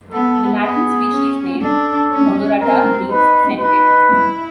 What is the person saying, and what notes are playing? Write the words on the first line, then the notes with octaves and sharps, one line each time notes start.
The Latin species name "odorata" means "scented".
B3 A4
B3 G#4
C#4
D4 A4
C#4
C4 A#4
D#4 B4
D#4 B4
E4